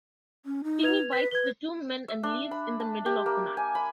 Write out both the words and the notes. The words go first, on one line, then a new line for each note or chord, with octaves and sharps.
Kenny bites the two men and leaves in the middle of the night.
C#4
D#4
B4 G#6 F7
B4 B6
B4 G#6 G7
E5
D4
B5
A5
G4
A#3
G#5
B5